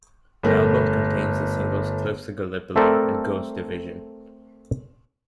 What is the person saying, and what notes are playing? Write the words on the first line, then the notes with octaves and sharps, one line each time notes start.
The album contains the singles "Cliffs of Gallipoli" and "Ghost Division".
G1 A3 A#4
A3 C4 A4 A#4 D5